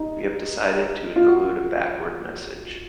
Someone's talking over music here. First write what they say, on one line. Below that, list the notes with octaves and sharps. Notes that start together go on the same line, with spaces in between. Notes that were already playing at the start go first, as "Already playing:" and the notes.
We have decided to include a backward message.
Already playing: D#4
F4
F#4